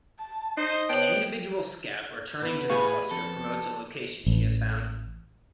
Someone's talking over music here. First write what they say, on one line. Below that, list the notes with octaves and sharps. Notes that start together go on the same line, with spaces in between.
An individual scout returning to the cluster promotes a location she has found.
A5
D#4 C5 D#5
B3 C5 C#5 G5 A5
E2 B4 F#5
A2 G4 G#4 F5 B5 C#6
F2 A4
A1